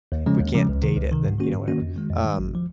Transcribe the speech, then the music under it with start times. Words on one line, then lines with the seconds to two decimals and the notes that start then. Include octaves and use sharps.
if we can't date it, then, you know, whatever. Um
0.12 D#2
0.26 C#3 F3 G#3 C#4
0.40 D#2
0.54 C#3 F3 G#3 C#4
0.69 C#2
0.82 C3 D#3
0.97 C#2
1.11 C3 D#3
1.25 G#2
1.39 D#3 A#3 C#4 F#4
1.53 G#2
1.67 D#3 A#3 C#4 F#4
1.82 F2
1.96 D#3 G#3
2.11 F2
2.24 D#3 G#3
2.39 G#1
2.55 F3